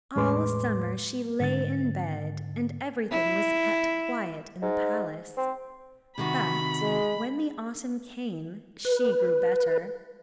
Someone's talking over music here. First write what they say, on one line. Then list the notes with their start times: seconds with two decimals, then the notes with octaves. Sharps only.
All summer she lay in bed, and everything was kept quiet in the palace; but when the autumn came she grew better.
0.16 E2 A2 G#3 B4 C6 D6
1.40 G#2 D3 A6
3.11 E4
4.62 G#2
5.37 C4
6.18 C3 D#3 F#4 B5
6.81 G#3
8.85 B4